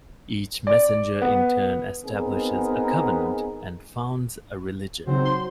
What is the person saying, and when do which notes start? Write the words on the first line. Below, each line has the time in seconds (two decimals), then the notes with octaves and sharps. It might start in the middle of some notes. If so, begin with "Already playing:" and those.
Each messenger in turn establishes a covenant and founds a religion.
0.67 D5
1.22 B3
2.06 B3 C4 D#4 G#4 A#4
5.07 C#3 F#3 C4 D#4 C5
5.25 C6